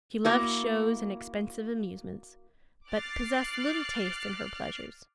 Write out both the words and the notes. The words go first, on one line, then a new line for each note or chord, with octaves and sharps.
She loved shows and expensive amusements, but possessed little taste in her pleasures.
A#3 E4 F#4
D6 F6 F#6 A6 C7